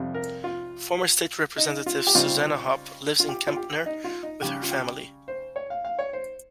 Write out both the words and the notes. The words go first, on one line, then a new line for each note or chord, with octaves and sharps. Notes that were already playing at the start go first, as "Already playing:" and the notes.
Former State Representative Suzanna Hupp lives in Kempner with her family.
Already playing: F2 C3 G3
A#4
F4
D#4
F4
G4
C#3 G3 C4 D#4 F4
F4
G4
F4
G4
D#4
F4
D#4
C#3 G3 C#4 G4
F4
G4
C5
C#5
F5
F5
C#5
C5